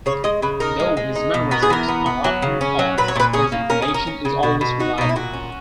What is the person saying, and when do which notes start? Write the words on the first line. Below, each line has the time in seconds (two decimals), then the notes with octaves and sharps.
"Though his mannerisms are often odd, his information is always reliable".
0.06 C#3 C#5
0.24 G#3 D#5
0.42 C#3 B4
0.60 D#4 A#4
0.80 G#3
0.97 G#3
1.15 D#4
1.34 B2
1.51 B3 A#4
1.63 G#4
1.70 E3 A#4
1.88 B3
2.06 B3
2.24 F#3
2.42 C#3
2.61 C#4
2.79 F#3
2.98 A#2 B4
3.08 C#5
3.16 A#2 B4
3.33 C#4 G#4
3.52 A#3
3.70 C#4 A#4
3.82 G#4
3.88 C#4
3.94 A#4
4.07 C#4
4.25 C#3
4.43 B2 F#4
4.61 B2
4.80 D#4 F#4
4.98 B2 D#4
5.09 E4
5.16 A#2 F#4
5.33 C#4